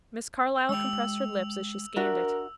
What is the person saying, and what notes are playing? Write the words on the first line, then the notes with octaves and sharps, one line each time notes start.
Miss Carlyle compressed her lips as she scanned it.
G#3 G5 E6 F7
D4 F#4 A#4 E5